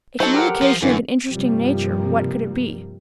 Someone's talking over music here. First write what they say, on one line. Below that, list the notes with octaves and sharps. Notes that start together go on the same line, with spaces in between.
A communication of an interesting nature, what could it be?
F#3 D#4 A4 C5
G4 A#4 F#5
F3
F#2 D3 E3
G2 C3 F3 G3 A#3